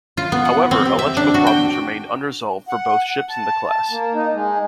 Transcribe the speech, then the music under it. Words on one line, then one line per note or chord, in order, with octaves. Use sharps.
However, electrical problems remained unresolved for both ships in the class.
F4
B3
F#5
C4
G4
E5
D4
F#4
G5
F#5
A5
A5
A#3
D#4
G#3